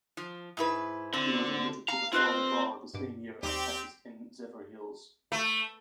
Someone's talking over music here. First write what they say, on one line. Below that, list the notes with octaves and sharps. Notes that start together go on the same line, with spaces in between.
He was admitted to the Florida bar the same year and practiced in Zephyrhills.
F3
G#2 E4 B4
D3 C4
F5 A#5
C4 F4 B4 D#5
G2 B2 D6
D#2 G3 C4 G4 D#6
A3